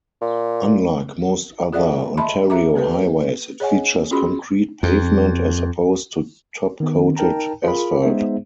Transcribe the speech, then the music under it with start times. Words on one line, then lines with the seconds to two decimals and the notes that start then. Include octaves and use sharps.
Unlike most other Ontario highways, it features concrete pavement as opposed to top-coated asphalt.
0.21 A#2
1.73 F4 G#4 D5 E5 F#5
2.17 D#5 E5 A5 B5 C6
2.50 G#4 E5 A#5 D6
2.75 A#3 G4 A4 B4
3.60 G#4 C#5 D#5 F#5 G#5
4.11 C#4 F4 F#4 G#4 B5 C6
4.83 F2
6.80 D#3 B3
7.16 D#4 A#4 G5 A5 A#5
7.64 F4 G#4 A#4 B5
8.02 G#3 B3 D#4 G#4 C5 E5